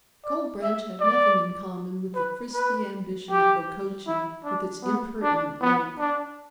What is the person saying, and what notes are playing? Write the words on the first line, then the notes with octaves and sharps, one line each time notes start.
Cold Branch had nothing in common with the frisky ambition of Okochee with its impertinent lake.
D5
E5
D5
B4
B4
G4
E4
D4
B3
D4
B3
D4